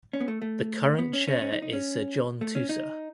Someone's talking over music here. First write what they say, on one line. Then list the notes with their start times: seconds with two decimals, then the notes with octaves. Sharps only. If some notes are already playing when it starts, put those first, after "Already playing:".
The current Chair is Sir John Tusa.
0.13 C#4
0.21 B3
0.28 A3
0.42 A3
0.98 B3
1.13 C#4
1.27 C#4
1.42 C#4
1.52 D#4
1.62 D#4
1.73 C#4
2.41 A3
2.55 C#4
2.69 D#4